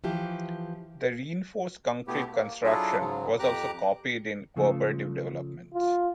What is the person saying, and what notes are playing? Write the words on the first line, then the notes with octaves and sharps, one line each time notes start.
The reinforced concrete construction was also copied in cooperative developments.
E3 F3 G4
B2 A3 B3 E4 G4
A#3
F#3 D4 E4 F4 G#4 A4
G#2 C#3 F#3
F2 G4 A#5 D6 F#6
C#3 F3 A3
F4